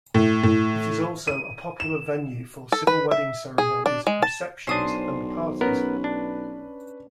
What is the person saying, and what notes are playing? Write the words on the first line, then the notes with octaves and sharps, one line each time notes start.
It is also a popular venue for civil wedding ceremonies, receptions and parties.
A2
A2
D#7
E7
A4
B4
E5
G#4
D4
G#3
A5
B1 C#4 D4 C5 D#6
B3 C#4 A#4 B4
D4